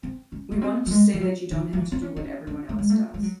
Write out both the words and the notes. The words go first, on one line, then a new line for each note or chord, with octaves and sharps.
We wanted to say that you don't have to do what everyone else does.
C4
C#4
A3
C4
F#3
G#3
E3
F#3
D#3
F#3
E3
C4
C#4
D#4
C#4
C#4
A3
G#3
A3
G#3
F#3